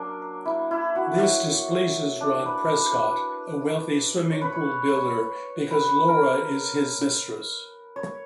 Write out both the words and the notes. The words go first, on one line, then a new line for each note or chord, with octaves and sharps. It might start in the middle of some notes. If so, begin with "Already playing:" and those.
This displeases Rod Prescott, a wealthy swimming-pool builder, because Laura is his mistress.
Already playing: F#3 A#3 D4
E4
E4
F#4
C#5
D4
B4
C#5
B4
C#5
C#5
B4
A#4
C#5